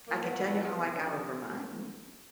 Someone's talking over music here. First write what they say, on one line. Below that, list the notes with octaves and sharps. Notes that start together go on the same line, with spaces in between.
I can tell you how I got over mine.
A2 F3 A#3
B3
A2 F3 B3
B3
E2 C3 F3 B3
C4
C#4
C3 F3 D4